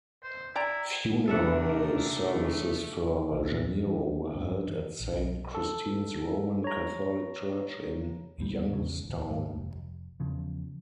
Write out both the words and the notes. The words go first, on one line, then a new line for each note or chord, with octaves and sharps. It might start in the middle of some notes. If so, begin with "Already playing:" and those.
Funeral services for Janiro were held at Saint Christine's Roman Catholic Church, in Youngstown.
C5
E4 D5 G5 A#5
C3 E3 A3 D4 A4 A#4 E5 F#5
B1
A#2
F2
E3
G2
F#2
E3
A#1
B1
A4
C#5 A#5
D#2 A2 G3
E2 G#2 C#3
D1 G1
G#2
F1
E2 C#3 F3